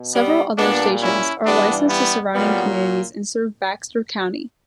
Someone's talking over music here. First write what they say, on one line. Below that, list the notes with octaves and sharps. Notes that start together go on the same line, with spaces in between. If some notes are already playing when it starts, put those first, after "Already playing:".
Several other stations are licensed to surrounding communities and serve Baxter County.
Already playing: B2
G3 B3
A#2 G3 B3 D4
C#4 E4
G2 E3 G3 B3 D4
G3 B3
A#2 F#3 G3 B3